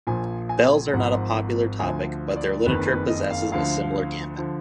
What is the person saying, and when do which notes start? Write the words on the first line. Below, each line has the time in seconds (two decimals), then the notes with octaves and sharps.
Bells are not a popular topic, but their literature possesses a similar gambit.
0.07 A#1 A#2 F3 G#5
0.49 G#5
0.93 G#1 G#2 F3 F#5
1.80 D2 D3 F3 G#5
2.36 D5
2.66 F#1 F2 D#3 B4
2.87 B4
3.08 D#5
3.31 F5
3.52 D2 D3 F3 F5
4.38 D3 F3